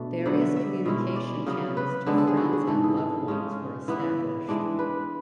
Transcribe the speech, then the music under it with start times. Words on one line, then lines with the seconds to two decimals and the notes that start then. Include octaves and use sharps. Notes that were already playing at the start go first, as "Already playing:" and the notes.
Various communication channels to friends and loved ones were established.
Already playing: B2 A3 D4
0.26 D3 F#3 B3 F#5
0.41 E5
0.56 E5
0.86 B2 G#3 C#4 E4
1.16 D5
1.46 C#3 F#3 B3
1.77 B4
2.06 D3 G#3 B3 A4
2.18 A4
2.27 G#4
2.37 F#4
2.53 G#4
2.67 G#2 E3 A3 A4
2.83 G#4
2.97 A4
3.28 C#3 G#3 C#4
3.88 E3 B3 E4 B4
4.48 E3 G#3 D4
4.79 B4